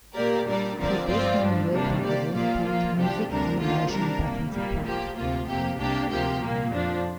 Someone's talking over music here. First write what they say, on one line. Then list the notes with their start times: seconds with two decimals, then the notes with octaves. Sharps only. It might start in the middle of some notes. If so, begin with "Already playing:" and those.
Her best known work however, brought music and emotion back into play.
0.15 A#2 A#3 G4 A#4 D5
0.47 A#2 G3 D4 A#4 D5
0.78 D3 F3 C4 A#4 D5
1.09 G2 F3 C4 F4 D5
1.41 G2 F3 D4
1.72 C3 G3 A#3 D4
2.04 C3 A#3 G4 D5
2.34 A#2 F3 A#3 F4 D5
2.65 F3 A#3 F4
2.97 C2 C3 F3 D4 G4
3.29 D2 C3 G3 D4 A#4
3.61 D3 F3 A#3 F4
3.91 C3 G3 D4 A#4
4.23 C2 C3 A#3
4.54 A#2 G3 A#3
4.86 F3 A#3 G4
5.17 D2 C3 F3 A#3 F4
5.48 F2 C3 A#3 G4
5.79 C2 C3 A#3 D4 G4
6.11 D2 C3 F3 A#3 G4
6.42 C2 A#2 A#3
6.73 F2 F3 D4